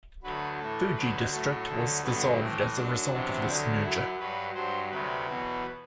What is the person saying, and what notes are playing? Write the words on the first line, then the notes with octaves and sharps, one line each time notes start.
Fuji District was dissolved as a result of this merger.
D2 D3 F#3 B4
A2 E3 A4
D2 D3 F#3 B4
A2 F#3 A4
D2 D3 F#3
G2 D3 F#3 B3
A2 E3 C4
F#2 F#3 D4
E2 C3 F#3
D2 D3 F#3
F#2 F#3 E4
G2 F#3 B4
G2 F#3 C5
D2 C3 F#3 B4
E2 B2 F#3